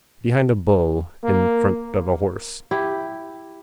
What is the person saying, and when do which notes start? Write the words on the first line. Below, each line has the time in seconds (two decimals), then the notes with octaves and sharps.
Behind a bull: in front of a horse.
1.24 A#3
2.71 E4 G4